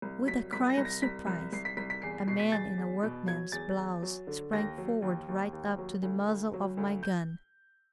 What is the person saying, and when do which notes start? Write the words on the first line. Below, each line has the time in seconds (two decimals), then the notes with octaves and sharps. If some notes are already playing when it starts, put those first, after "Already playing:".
With a cry of surprise, a man in a workman's blouse sprang forward right up to the muzzle of my gun.
0.02 C2
0.27 F#3 B6
0.53 C2 B6
0.70 A#6
0.77 C2
0.85 A#6
1.02 C2 B6
1.27 C2
1.53 C2 C7
1.65 B6
1.77 C2 B6
1.90 B6
2.02 E2 C7
2.27 B2 C7
2.40 B6
2.52 E2 A6
2.78 E2
3.03 B2
3.28 F#3 G#6
3.52 E2 A6
3.78 E2
4.02 F#3
4.27 D3
4.52 D#2 A#6
4.78 F#3
5.02 D#2
5.28 D#2
5.53 D#2
5.78 F#3
6.02 D2
6.28 D2
6.53 F#3
6.77 D2
7.03 G6